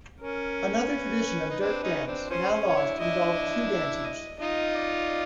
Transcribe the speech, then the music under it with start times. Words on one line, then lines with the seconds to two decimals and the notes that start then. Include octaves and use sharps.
Another tradition of dirk dance, now lost, involved two dancers.
0.20 C#4 A#4
0.90 B4
1.50 D#4
1.60 C4 D4
1.83 C#4 D#4
2.07 C4 D4
2.30 F3 C#4 C5
2.53 C#4
2.65 C#5
2.76 D4 E4
3.00 D4 E4 D#5
3.70 E5
4.05 D#5
4.40 D#4 F4 D#5
4.74 D5